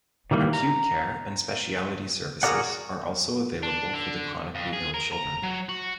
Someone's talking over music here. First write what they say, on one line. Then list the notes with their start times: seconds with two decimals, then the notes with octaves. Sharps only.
Acute care and specialty services are also available for the chronically ill children.
0.31 D#3 E3 G3 A#3
0.53 A#5
2.43 F#4 G#4 A#4 D5 F#5
3.63 D4
3.94 D3
4.55 F2
4.73 G#4
4.94 A#4
5.13 A#5
5.43 F#3
5.69 F#4